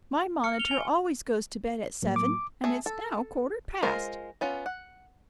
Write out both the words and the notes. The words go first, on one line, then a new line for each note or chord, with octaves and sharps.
My monitor always goes to bed at seven, and it's now quarter past.
F6 C#7
F7 G7
G#5
A2 F#3 A#3
D6
A3 G#4
A4
G#3 F4 A#4 C5
B3 C#4 F4
F#5